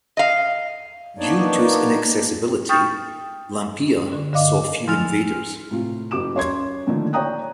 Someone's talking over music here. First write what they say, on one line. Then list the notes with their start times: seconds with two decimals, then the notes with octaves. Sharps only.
Due to its inaccessibility, Lampeia saw few invaders.
0.17 D#5 F5
1.19 A#3 B3 D4 D#4 C#5 D5
2.69 G5 C#6 D#6 F6 G6 A6
4.12 D3
4.33 G2 D3 D#5 F5 D6
4.88 F3 A3 G#5 F6 F7
5.71 A2 C3 F4
6.11 F#1 F#4 G4 D6 E7
6.35 F#2 C#5 C6 G#6
6.87 A#2 D3 D#3 F3 A3
7.13 C#5 D5 G5 A#5 D#6 F#6